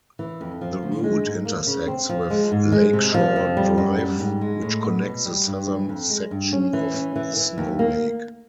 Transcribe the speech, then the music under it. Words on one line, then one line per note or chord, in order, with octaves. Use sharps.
The route intersects with Lakeshore Drive, which connects the southern section of Snow Lake.
E3
F2
F3
D2
G#3
G#2
A#3
C#3
C4
F3
G#3
G#2
G#3
C3
F3
F2
G3
F#2
G3
G#2
G#3
A2
B3
B2
G3
G2
E3
F2
G#3
G2
C#4
E3
C#4
E3
E3
D#2
A#3